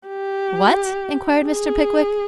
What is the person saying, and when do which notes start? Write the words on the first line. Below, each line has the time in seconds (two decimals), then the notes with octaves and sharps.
'What?' inquired Mr. Pickwick.
0.08 G4
1.44 G#4